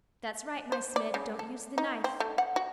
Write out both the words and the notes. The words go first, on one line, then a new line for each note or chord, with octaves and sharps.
That's right, my Smid, don't use the knife!
C5
D5
C#3
A4
D#4
C4
A3
F#5
F#4